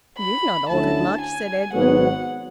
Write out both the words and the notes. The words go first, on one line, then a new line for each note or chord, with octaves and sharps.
"You've not altered much," said Edwin.
B5
D2 D3 A3 C#4 E4 A5
G#5
G#1 G#2 F#3 B3 F#5